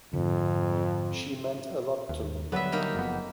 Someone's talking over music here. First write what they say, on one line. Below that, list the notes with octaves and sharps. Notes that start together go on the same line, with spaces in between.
She meant a lot to me.
F2 G#2 D3
D#2
D3 F#3 G3 B3 E5
A#3 D#4 G5
F#1 F2 B3